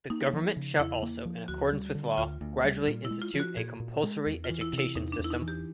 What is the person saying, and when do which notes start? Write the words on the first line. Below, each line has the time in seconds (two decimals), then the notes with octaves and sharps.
The government shall also in accordance with law, gradually institute a compulsory education system.
0.10 A#3 D#4
0.33 F3
0.57 C#3
0.79 E2 E4
1.02 A#3
1.25 F3
1.48 D2 F#4
1.72 G3
1.95 D3
2.18 D2 F4
2.41 D2
2.64 G3
2.87 A#2 F4
3.05 E4
3.11 G#3
3.22 F4
3.34 F3
3.40 F#4
3.57 A#2 G#4
3.80 A#2
4.03 G#3
4.26 E2
4.44 F4
4.50 E3
4.61 E4
4.73 C3 E4
4.95 E2 D#4
5.12 D4
5.19 E2
5.24 E4
5.30 D#4
5.42 E3
5.48 G4